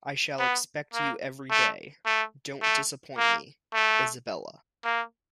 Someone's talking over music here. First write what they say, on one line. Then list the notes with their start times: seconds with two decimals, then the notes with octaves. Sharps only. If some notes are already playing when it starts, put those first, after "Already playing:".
I shall expect you every day — don’t disappoint me! — Isabella.
0.39 B3
0.94 A#3
1.51 A3
2.06 A3
2.62 A3
3.18 A#3
3.74 A3
4.85 A#3